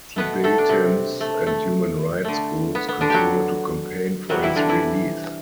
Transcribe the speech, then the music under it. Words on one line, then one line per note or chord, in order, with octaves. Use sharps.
Tibetans and human rights groups continue to campaign for his release.
B2 A3 B3 B4
A3 A4
D4
C3 C4
A3
A3
D3 A3
B3
B3
D3 D4
F#3 F#4 G4
C3 F#3 G3 F#4
E3 E4
D3 D4
E3 E4